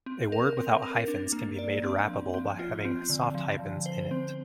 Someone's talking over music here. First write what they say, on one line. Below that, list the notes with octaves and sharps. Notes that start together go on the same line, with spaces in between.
A word without hyphens can be made wrappable by having soft hyphens in it.
C4
A#4
C4
A#4
D4
A#3
D5
C4
F3
C4
F4
C4
D3
F3
D3
C5
C4